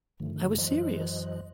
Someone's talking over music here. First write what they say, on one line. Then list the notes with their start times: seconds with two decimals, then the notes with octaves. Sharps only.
I was serious.
0.20 G2 D3 D#3 F3 A3
0.58 F#2 E3 F#3 C5 D#5 F#6